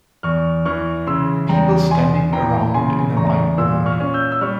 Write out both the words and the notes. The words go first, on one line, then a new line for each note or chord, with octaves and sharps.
People standing around in a library.
E2 C#6 F6
E3 C#6 F6
C#3 C6 E6
E2 G5 A#5
E2 G#5 C6
E3 G5 A#5
C#3 G#5 C6
E2 A#5 C#6
A#2 C6 E6
C#6 F6
C#4
E6 G6
E6
G3 C#6 F6